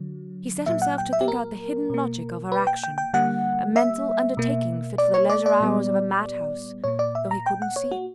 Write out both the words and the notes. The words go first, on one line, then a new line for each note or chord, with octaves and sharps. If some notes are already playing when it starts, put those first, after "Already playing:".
He set himself to think out the hidden logic of her action--a mental undertaking fit for the leisure hours of a madhouse, though he couldn't see it.
Already playing: D3 F#3
A#2 F#3 A#3 E5
F#5
G5
E5
G4
A#4
B2 A#3
B4
G5
G5
G5
D3 G3 A#3 F#5
E5
B2 A#3
D5
C#5
D5
D5
A#2 G3 B3
A#2 A#3 C#5
D5
E5
A#5
G5
F#5
C#5
F#4